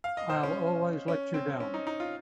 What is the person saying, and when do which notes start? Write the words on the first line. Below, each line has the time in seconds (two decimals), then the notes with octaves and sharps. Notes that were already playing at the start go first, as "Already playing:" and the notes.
I'll always let you down!
0.04 F5
0.17 D#5
0.30 C5
0.43 C#4
1.08 C#4
1.34 C4
1.60 C#4
1.74 D#4
1.87 D#4
2.00 F4